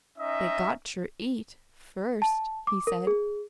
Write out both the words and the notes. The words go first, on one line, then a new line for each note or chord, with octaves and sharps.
"They got ter eat--first," he said.
C#4 D#4 D#5 E5
A5
D6
A#4
G#4